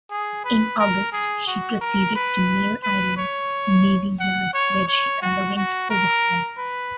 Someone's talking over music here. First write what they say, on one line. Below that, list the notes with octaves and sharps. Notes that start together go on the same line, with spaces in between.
In August, she proceeded to Mare Island Navy Yard where she underwent overhaul.
G#4
B4
A#4
G#4
F#4
A#4
B4
B4
C#5
F#5
C#5
C#5
F#4
F#4
A#4
B4